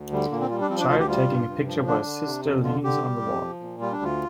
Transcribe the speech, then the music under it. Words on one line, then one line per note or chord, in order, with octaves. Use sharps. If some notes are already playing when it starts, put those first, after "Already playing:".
Child taking a picture while sister leans on the wall.
Already playing: D2
D3 G3
A#2 A#3
C4
G3 F4
D4
F3 C4
D4
D2 F4
G4
G3 F4
G2
G2
F3
D3 D4
D3
C3
F2
D3 F4
D3 G4
G3
F2
F3
A#2
G3 F4
D4
D2
F4